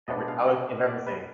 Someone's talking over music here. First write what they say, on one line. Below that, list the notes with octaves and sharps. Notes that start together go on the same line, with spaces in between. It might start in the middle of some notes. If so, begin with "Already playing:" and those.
every I would give everything.
B2 G#3 B3 D4 D#5
F5
D#5
D5
B4